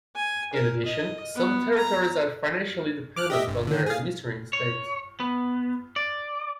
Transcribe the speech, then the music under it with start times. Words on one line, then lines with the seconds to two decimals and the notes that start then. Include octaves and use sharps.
In addition, some territories are financially dependent on their administering state.
0.15 G#5
0.53 A#4
0.85 D#5
1.35 B3
1.77 A#5
3.16 D6 F6 F#6
3.30 G4 D#5 E5
3.48 G1
3.67 D3 D#3
3.86 G#4 F5
4.53 C#5
5.20 B3
5.96 D5